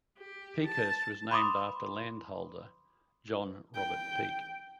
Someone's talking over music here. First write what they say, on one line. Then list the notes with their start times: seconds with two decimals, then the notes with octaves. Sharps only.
Peakhurst was named after landholder John Robert Peake.
0.19 G4
0.66 A5
1.31 B5 C6 D6 D#6
3.75 G5